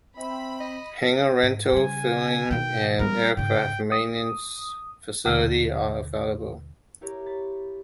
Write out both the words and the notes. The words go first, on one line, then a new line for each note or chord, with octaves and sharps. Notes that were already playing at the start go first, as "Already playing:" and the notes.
Hangar rental, fueling, and aircraft maintenance facilities are available.
C4 E5 B5
D#5
G#2
C#3 G3 G#5
B2 D#3 G5
G3 B3 A#4
G#2 C#3 G5
D#6
D#2 B2 D3 A3 E6
E4 G4 A#4 C#5
B5 A6